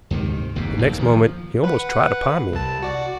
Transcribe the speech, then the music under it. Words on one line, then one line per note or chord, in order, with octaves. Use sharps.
The next moment he almost trod upon me.
D2 G#2 C3 D#3
F#1 D#2 G#2 B2
D1 D#2
D#3 F3
B4 F#5
C2 A5
F#4 D5